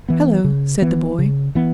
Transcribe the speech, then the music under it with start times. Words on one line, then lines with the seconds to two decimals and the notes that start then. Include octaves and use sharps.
"Hello," said the boy.
0.08 E3 B3
0.44 C#3
0.82 E3 B3
1.19 C#3
1.55 E3 B3